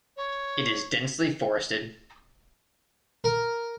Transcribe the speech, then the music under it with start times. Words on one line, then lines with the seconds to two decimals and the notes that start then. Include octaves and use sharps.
It is densely forested.
0.17 C#5
3.24 A#4